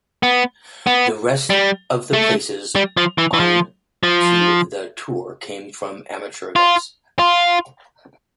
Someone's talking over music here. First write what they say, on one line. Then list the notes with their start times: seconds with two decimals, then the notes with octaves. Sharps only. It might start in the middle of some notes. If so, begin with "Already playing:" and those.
The rest of the places on to the tour came from amateur events.
0.23 B3
0.87 B3
1.50 G3
2.13 A3
2.75 G3
2.97 F3
3.18 E3
3.34 E3
3.40 F3
4.03 F3
6.56 F4
7.19 F4